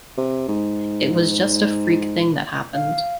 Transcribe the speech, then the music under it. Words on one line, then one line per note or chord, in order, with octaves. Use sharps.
It was just a freak thing that happened.
C3
G#2
F5